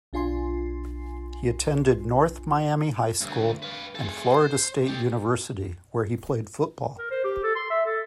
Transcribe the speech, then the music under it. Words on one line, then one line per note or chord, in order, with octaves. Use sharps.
He attended North Miami High School and Florida State University where he played football.
B1 D4 F4 G#5 C6 C7
D2 G2
B4 F5
G#3 A4
C5
G4 A4
A#4
C5
G4
A4
C6
E5
A4